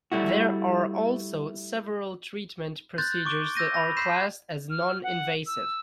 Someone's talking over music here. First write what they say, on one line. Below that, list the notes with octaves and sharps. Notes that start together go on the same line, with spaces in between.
There are also several treatment procedures that are classed as non-invasive.
G3 A3 E4 F#4
C6 F#6 G6 A6
C#6 D6 D7 G7
E6 G6 A#6 D#7
B5 A#6
C6 G6 B6 C7 E7
F6
F#5
E6